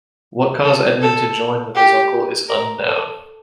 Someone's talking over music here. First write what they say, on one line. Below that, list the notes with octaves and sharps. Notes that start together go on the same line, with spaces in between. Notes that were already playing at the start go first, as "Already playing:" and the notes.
What caused Edmund to join with his uncle is unknown.
A4
A4
G4
A#4
A4